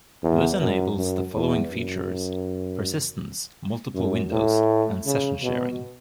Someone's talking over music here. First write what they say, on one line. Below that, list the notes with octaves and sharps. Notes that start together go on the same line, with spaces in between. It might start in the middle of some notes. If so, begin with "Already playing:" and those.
This enables the following features: persistence, multiple windows, and session sharing.
E2
F#2
F#2
E2
F#2
F#2
A2
C#3
B2